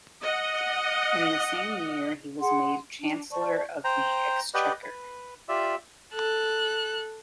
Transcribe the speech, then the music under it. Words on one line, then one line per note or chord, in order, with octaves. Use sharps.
In the same year he was made chancellor of the exchequer.
D#5 F#5
G#4 F#5 C6
D4
C5 D5 A5 C#6
C5 G5 A#5
G4 B4 D5 D#5 F#5 G5
B4
F4 G4 D5 E5
A4 F#6